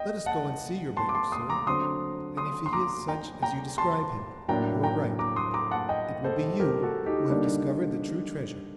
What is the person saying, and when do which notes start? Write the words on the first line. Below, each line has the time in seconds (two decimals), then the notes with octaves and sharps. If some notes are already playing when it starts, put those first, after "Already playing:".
"Let us go and see your beggar, sir, and if he is such as you describe him, you are right--it will be you who have discovered the true treasure."
Already playing: D#5 G5
0.26 F#5 A5
0.97 A5 C6
1.09 D6
1.14 A5 C6
1.32 C6 D#6
1.50 A#5 D6
1.67 D3 F#3 C4 C6 D#6
2.37 C6 D#6
2.66 C6
2.73 A#5 D6
3.08 G5 A#5
3.43 G5 A#5
3.78 A5 C6
4.49 A2 F#3 A#3 D4 G5 A#5
4.84 G5 A#5
5.19 A#5 D6
5.36 C6 D#6
5.54 A#5 D6
5.71 F#5 A5
5.89 D#5 G5
6.24 A4 C5
6.60 G4 A#4
6.83 F#4 A4
7.06 D#4 G4
7.30 D3 G3 A#3 D4